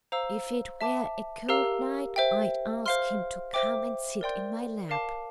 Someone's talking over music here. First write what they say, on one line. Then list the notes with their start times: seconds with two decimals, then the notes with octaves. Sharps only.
If it were a cold night I'd ask him to come and sit in my lap.
0.12 C5 F5 A#5 E6
0.81 E5 A5 D6
1.49 G4 A#4 F5 A#5 E6
2.16 C5 E5 G5
2.86 C5 F5 C6 F6
3.54 C5 E5 G5 D6
4.21 A#4 D5 G5 C6 G6
4.89 A#4 F5 A5 D6